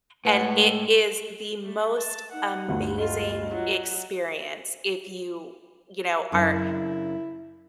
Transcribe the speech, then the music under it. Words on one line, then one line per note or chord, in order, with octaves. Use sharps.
and it is the most amazing experience if you you know, are
A2 G#3 B4 F#5
A3
A5
D#4 F#5
G1 D2 G2
F4 D#5
F#3 F4
F#2 C#3 D4 E4